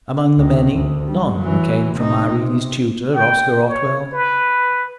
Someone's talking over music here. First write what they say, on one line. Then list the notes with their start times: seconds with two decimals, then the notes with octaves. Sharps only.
Amongst the many, none came from Irene's tutor, Oscar Otwell!
0.37 D2 D#3
0.72 D2
1.06 G3
1.37 E3 F#3
1.96 C3 D#4
2.32 C3
3.15 G5
3.68 C#5
4.13 B4